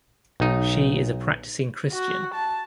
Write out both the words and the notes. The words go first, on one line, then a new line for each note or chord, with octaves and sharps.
She is a practicing Christian.
B1 D#4
F#4
A5